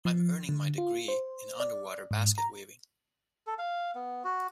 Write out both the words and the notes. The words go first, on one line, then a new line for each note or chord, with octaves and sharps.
I'm earning my degree in underwater basket weaving.
F3
D3
F4
C5
D5
G#2
A#5
A4
F5
B3
F#4